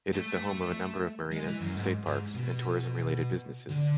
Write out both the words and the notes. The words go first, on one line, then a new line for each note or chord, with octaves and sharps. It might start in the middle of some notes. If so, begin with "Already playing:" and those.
It is the home of a number of marinas, state parks and tourism-related businesses.
A3
G#3
E3
F#2
G#2
G#2
B2
D3